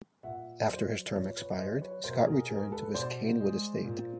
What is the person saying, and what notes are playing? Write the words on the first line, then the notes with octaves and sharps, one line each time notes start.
After his term expired, Scott returned to his Canewood estate.
A#2 E5 F#5
F#3 C5 D5
D5
A#2 B4 C#5
B4 C#5
D#5
F#3 C5 D5
B4 C#5
B2 A#4 C5
G#4 A#4
G#3 G#4 A#4
A4 B4
B2 C5 D5
G#3
A#2